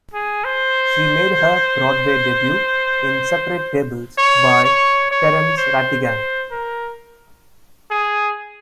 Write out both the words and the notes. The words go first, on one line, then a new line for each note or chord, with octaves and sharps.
She made her Broadway debut in "Separate Tables" by Terence Rattigan.
G#4
C5
C#5
C#5
C#5
C5
C5
A#4
G#4